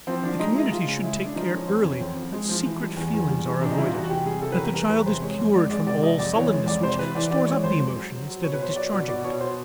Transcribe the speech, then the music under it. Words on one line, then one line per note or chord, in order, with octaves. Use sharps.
The community should take care early that secret feelings are avoided, that the child is cured from all sullenness which stores up the emotion instead of discharging it.
F3 C4
F3 D4
G#3 D#4
G#3 E4
G#3 F4
C#3
G#3 E4
G#3 D4
F3 D#4
F3 C#4
F2 C4
F2 C#4
F2 C4
F3
G#3
F3
E3
G3
E2
E2
G3
E2
C3 D4
D#4
G3 E4
F4
E2 F#4
F#4
C3 G4
G3 G#4
C3 A4
B4
E2 A#4
G3 A#4
E2 B4
C3 C5
G#3 C#5
F2
G#3 D5
G#3 D5
C3 D5
C3 D#5
F2 D5
E3 C#5
G#3
F2 D5
C3 C5
E3 B4
E3 D5
E3 D5
G#3 C#5
F2 C5
F#3
F#3
F#3
F#3
B2 C#5
B4
F#3 C5
C#5
F#3 D5
B2
B2 D5
B2 C#5
B2 C5